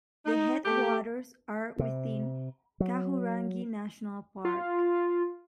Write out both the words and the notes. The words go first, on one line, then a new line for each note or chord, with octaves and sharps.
The headwaters are within Kahurangi National Park.
D#4
A3 G4
C3
F#3
F4